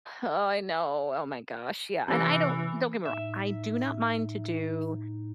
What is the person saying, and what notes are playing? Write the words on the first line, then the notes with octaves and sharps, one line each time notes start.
Oh, I know. Oh my gosh, yeah. And I don't don't get me wrong. I do not mind to do
C3 E3 C#4
A2 D#4 E5